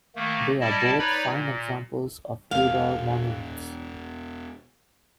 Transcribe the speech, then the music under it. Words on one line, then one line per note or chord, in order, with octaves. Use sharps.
They are both fine examples of Tudor monuments.
D#3 A3 A#3
G3 E4 D5 D#5 A5
D#4 B4 C#5 D5 B5
A#2
E1 F5